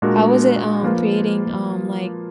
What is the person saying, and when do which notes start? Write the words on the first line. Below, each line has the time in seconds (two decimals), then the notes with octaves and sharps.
How was it, um, creating, um, like,
0.02 A#2 G#3 D4 F#4 A#4
0.82 F3 A#3 F4 B4